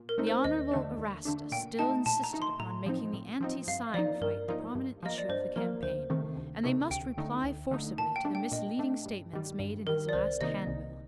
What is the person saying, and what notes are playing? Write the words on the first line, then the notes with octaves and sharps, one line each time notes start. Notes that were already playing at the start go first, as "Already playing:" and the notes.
The Honorable Erastus still insisted upon making the anti-sign fight the prominent issue of the campaign, and they must reply forcibly to the misleading statements made in his last hand-bill.
Already playing: A#2
A#4
A3 C4 D#4
C5
D#2 D#5
D3 A3 D4
D#2
D3 A3 D4
A#2 G5
A3 D#4 A5
A#2 A5
A#5
A3 D#4
C6
A2 A#5
F3 C4 D#4
A2
F3 C4 D#4
G2 F5
F3 A#3 D#4 D5
G2 A#4
F3 A#3 D#4
G2
F3 A#3 D#5
D5
G2 C5
F3 A#3 A#4
D2 C5
C3 D#3 A3
D2
C3 D#3 A3
D2 G5
D3 A3 D#4
D2
D3 A3 D#4
A#2 A5
G5
A3 D4
G5
A#2 D#5
A3 D4
G2
D#3 G3
G2
D#3 G3 A#4
D5
C2 C5
C3 D#3 A#3 D#4 D#5
C2